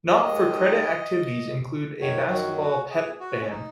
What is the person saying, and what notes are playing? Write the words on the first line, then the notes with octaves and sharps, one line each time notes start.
Not for credit activities include a basketball pep-band.
D#2 D#3 G#3 D#5
F#2 D#3 F#3 C#5
F#4
F#4
G#4
F#4
C#4
D#4